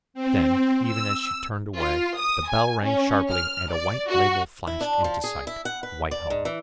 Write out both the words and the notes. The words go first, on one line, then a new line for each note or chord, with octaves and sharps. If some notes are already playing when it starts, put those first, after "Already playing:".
Then, even as she turned away, the bell rang sharply, and a white label flashed into sight.--WHITEHALL.
C4
E6
F4
D#6
G#5
C#4
F6
D5
F#4
E4
D4
F3
G#4
E4
F#5
B4
D5
G#2
E3